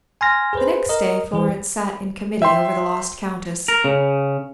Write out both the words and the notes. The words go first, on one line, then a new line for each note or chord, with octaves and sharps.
The next day Florence sat in committee over the lost Countess.
G#5 C6 F6 A#6
G#4 B4 C5
A#4 D#5
E3 G#4 C5
E5 G5 C6
A#4
C#3